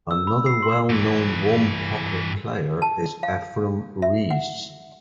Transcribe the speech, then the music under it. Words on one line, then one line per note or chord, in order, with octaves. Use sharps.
Another well-known one-pocket player is Efren Reyes.
E6
B5
C7
C6
G2 E3
A5
F5
E5
F#5